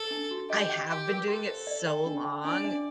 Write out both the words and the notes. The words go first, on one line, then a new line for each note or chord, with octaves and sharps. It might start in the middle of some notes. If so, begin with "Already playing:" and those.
I have been doing it so long,
Already playing: A4
D4
F#4
G4 D#5
G5
G4 C6
A#4
A4 C6
C5
D5
G5
D4
G5
D4 D5
D4